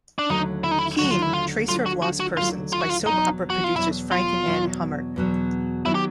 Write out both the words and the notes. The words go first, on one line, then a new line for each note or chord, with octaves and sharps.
Keen, Tracer of Lost Persons, by soap opera producers Frank and Anne Hummert.
D4
D#2 D3 F#3 A3 D#4
E4
D#4
E4
D#2 D3 F#3 A3 F#4
F4
E4
F4
D#2 D3 F#3 A3 F4
F#4
F#4
F#4
D#2 D3 F#3 A3 F4
F4
F#4
F4
E2 B2 F#3 D#4
F#4
F4
E2 B2 F#3 E4
F4
E2 B2 F#3
E2 B2 F#3
D#3 F#3 B3 E4
G4